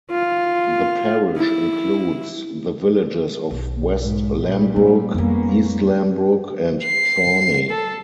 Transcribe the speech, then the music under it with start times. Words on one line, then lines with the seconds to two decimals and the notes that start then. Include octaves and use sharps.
The parish includes the villages of West Lambrook, East Lambrook and Thorney.
0.11 F4
1.37 E4
3.51 B1
4.01 G#2
4.41 A#2 G3
4.76 C#4
5.14 F2 G3 A#3 B3 C#4
6.83 C7
7.70 A4